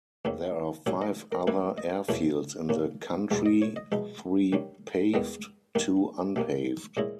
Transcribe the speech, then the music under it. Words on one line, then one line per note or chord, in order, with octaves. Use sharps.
There are five other airfields in the country, three paved, two unpaved.
E2 D#3 A#3 C#4
A#2 G3 C#4 E4 E5
D#5
A#4
G2 E3 A#3 E4 B4
D#5
E2 B2 A#3 C#4 E4
A#2 A#3 C#4
E2 B2 G#3 E5
D#5
C#5
D#5
B2 G#3 D#4 E5
D#3 G3 C#4
E2 D#3 G#3 B3 D#5
G2 D#3 A#3 D#4
B2 G3 A#3 E5
A#2 G#3 C#4 E4 D#5